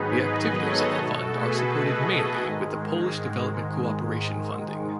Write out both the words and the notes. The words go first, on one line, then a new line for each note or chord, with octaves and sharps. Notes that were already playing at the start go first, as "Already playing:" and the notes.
The activities of the Fund are supported mainly with the Polish Development Cooperation funding.
Already playing: G#2 D#3 F#3 B3 D#4 G#4 B4
B4 D#5
A4 C#5
B2 A3 F#4 A4
G#4 B4
B4 D#5
G#2 D#3 G#3